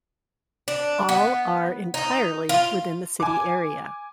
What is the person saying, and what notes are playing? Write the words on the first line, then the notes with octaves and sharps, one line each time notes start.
All are entirely within the city area.
D4
B3
D#4
F4
G#5 D6